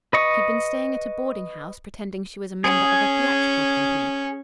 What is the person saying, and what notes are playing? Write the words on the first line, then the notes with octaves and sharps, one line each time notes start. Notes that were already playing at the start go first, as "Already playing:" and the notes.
She'd been staying at a boarding-house pretending she was a member of a theatrical company.
B4 D#5 C#6
C#4 G#4